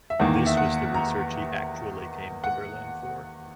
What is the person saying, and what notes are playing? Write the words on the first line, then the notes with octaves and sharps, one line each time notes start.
This was the research he actually came to Berlin for.
E5
E2 D#3 A#3 F#5
E5
F#5
A#5
F#5